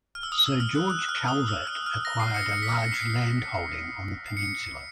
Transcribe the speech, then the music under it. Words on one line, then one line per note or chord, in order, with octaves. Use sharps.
Sir George Calvert acquired a large land holding on the peninsula.
F6
E6
D#6
E6
F6
F#6
F#6
F6
D#6
E6
F6
F6
A#6
C7
C#7
C#7
B6
C#7
C7
C7
C#7